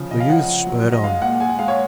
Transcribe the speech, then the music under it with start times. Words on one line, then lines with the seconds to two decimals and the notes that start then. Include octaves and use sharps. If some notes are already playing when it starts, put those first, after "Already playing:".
The youths spurred on.
Already playing: C#3 F3
0.11 C#3 D#5
0.20 F5
0.30 F3 F#5
0.48 F3
0.67 F#3
0.85 F#3
0.92 D#5
1.04 G#3 F5
1.22 A#2 F#5
1.40 G#3 G#5
1.49 F#5
1.59 G#3 F5
1.68 C#5